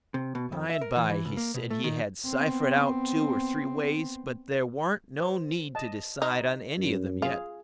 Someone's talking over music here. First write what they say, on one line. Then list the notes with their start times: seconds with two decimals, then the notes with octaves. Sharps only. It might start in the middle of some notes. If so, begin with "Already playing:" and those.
By and by he said he had ciphered out two or three ways, but there warn't no need to decide on any of them yet.
0.14 C3
0.35 B2
0.52 F2
0.70 E5
0.81 A#4
0.96 E3
1.10 E3
1.25 C#2
1.37 A#3
1.54 B2
1.70 A3
1.84 D#3
2.27 B3 C4
5.20 C5
5.75 D#5 A5
6.22 D#4
6.78 F#2
7.22 F4 G#4